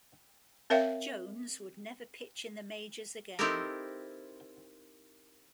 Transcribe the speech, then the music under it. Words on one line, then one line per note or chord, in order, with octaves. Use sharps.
Jones would never pitch in the majors again.
C4 A#4 C#5 E5 F5 G5
C4 D#4 E4 G4 A4 A#4